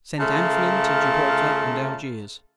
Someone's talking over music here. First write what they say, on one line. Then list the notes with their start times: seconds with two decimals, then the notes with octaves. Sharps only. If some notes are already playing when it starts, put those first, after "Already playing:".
Sent Amphion to Gibraltar and Algiers.
0.20 C#3 A3 F4 A#4 A5